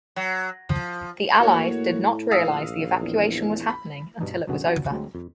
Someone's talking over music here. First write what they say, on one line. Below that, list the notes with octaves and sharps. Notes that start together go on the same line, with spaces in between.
The Allies did not realize the evacuation was happening until it was over.
F#3
F3
A2 A#3 F#4 C#5
A#1 F5 D#6 E6
E2
B5
G2 B2 D4 D#4
C2 F#2 B2 D3 F#4 G#4
F#3 B3 D4 F4 F#4
D2 F#3 G#3 C4
F2